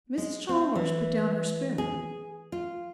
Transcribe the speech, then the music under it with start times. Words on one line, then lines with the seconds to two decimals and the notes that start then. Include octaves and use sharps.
Mrs. Chalmers put down her spoon.
0.18 G#3
0.49 C4
0.76 E3
1.78 G#4
2.52 F4